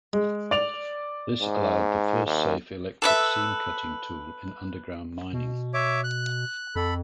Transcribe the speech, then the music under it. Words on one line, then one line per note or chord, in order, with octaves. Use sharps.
This allowed the first safe electric seam cutting tool in underground mining.
G#3
D5 F7
G#2
D#2
A4 B4 E5
B2
C#5 E5 D6
F#6
F2 A4 B5